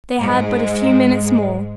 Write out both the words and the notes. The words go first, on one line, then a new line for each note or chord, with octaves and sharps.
They had but a few minutes more.
G#2 G#3